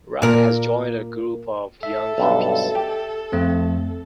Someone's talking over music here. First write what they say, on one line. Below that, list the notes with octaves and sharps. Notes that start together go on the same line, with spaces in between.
Rocket has joined a group of young hippies.
A#2 A#4
A4 E5
B1 G2 D3
G4
F2 A3 C4